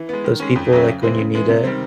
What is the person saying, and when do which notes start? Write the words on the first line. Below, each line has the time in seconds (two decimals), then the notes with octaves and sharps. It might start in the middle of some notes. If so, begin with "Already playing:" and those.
those people, like, when you need it.
Already playing: E3
0.09 G#3 B3
0.24 D#3
0.40 G#3 C#4
0.56 F2
0.71 C#3 F#3 A3 C#4
0.86 C#3
1.02 E3 G#3 C4
1.18 C#3
1.33 E3 G#3 B3
1.49 C3
1.64 D#3 G3 C4